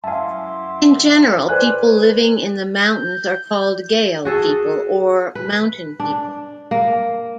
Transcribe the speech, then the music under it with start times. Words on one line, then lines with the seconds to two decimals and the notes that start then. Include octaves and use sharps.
In general people living in the mountains are called gayo people or mountain people.
0.04 F#2 E4 E5 F5 G#5 A5 C6 D6
1.49 B4 C5 D5 G#5 F#6
2.83 G6
4.25 F#4 G#4 A4
5.35 B4
6.00 D4
6.71 A#3